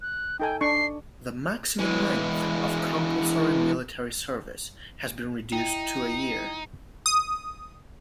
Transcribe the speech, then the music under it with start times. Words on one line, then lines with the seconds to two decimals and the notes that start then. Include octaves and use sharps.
The maximum length of compulsory military service has been reduced to a year.
0.02 F#6
0.40 D#4 A4 G5 G#5
0.61 D4 C#6 C7
1.79 E3 G#3
5.52 D#4 E4 G5
7.06 D#6